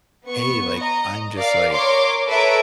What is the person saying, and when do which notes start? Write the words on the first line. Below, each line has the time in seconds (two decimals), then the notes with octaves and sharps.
hey. Like, I'm just like,
0.24 B3 C#6
0.76 D#5 A#5
1.36 A#4 D5 F5
1.71 A#4 C#5 C6 D6
2.28 A4 B4 C#5 E5 A#5 D7